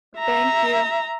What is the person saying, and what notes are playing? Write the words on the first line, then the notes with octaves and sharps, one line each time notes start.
Thank you.
E5 A#5